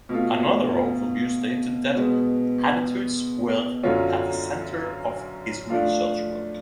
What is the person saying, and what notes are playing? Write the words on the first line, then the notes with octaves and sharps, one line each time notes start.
Another overview stated that "attitudes were at the centre of his research work".
B2 A3 F4
B2 G#3 B3
F#2 D3 F#3 C#4 F4
F3 A3 D4 F4